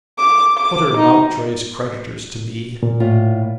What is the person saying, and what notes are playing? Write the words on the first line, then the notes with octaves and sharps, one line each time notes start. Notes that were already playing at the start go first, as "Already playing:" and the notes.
What are Mountjoy's creditors to me?
D6
D6
D#4
A#2
A2 F4